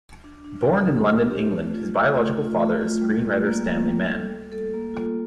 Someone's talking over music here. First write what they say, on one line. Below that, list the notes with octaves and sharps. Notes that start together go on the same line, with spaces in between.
Born in London, England, his biological father is screenwriter Stanley Mann.
D4
D4
G3
G4
D4
G4
A3
F4
F4
A3
F4
A3
F4
G3
G3
A#3
G3
G3
A4
G3
A4
A#3
F4